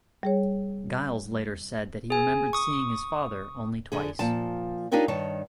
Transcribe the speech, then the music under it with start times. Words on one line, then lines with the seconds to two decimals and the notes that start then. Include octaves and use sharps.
Giles later said that he remembered seeing his father only twice.
0.23 G3 G#4 C#5
2.10 G#4 G#5
2.53 C#6 D#6
3.92 D3 G#4
4.19 A#2 F3 A5
4.92 D4 D#4 F4 G4 A#4 C#5
5.08 G2 D#3 C#5 A5